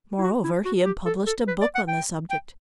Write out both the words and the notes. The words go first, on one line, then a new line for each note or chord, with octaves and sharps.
Moreover, he had published a book on the subject.
E4
F#4
E4
F#4
G4
A4
A4
B4
D5
F#5
G5
G5